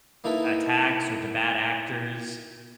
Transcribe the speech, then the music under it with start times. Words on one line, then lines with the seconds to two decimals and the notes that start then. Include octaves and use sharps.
attacks or to bad actors.
0.24 A#3 D#4 E4 A4 B4